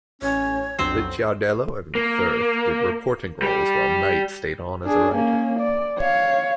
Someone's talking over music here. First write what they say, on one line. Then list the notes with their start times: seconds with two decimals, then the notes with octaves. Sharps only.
Licciardello and Firth did reporting roles while Knight stayed on as a writer.
0.22 A1 C#4 C#5
0.79 B1 F2 F#3 C4 D4 C5
1.95 A#3
3.42 G3 G4
4.85 D4 G#4
5.15 A#3 C#4
5.60 D5
5.99 C#5 F5